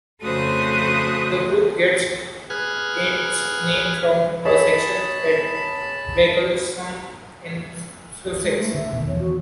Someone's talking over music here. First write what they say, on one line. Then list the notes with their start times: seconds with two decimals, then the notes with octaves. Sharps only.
The Group gets its name from a section at Bracklesham in Sussex.
0.21 F2 C#3 A3 F#4 C5 D#6
2.50 G#4 B4 F6 F#6 G#6
4.45 G#4 C#5 D#5 A5 B5
8.43 G#3
8.58 A3
8.74 D3 E5
8.93 D#1 B2 D#3
9.08 E2 F3 C#5
9.19 F#4